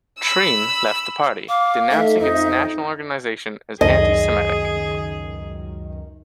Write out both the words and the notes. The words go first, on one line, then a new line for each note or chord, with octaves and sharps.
Treen left the party, denouncing its national organization as anti-Semitic.
B5 E6
F5 D6
A3 D#4 A4 E5
F2 D#4
C#2 F#2 D#3 G#4 D#5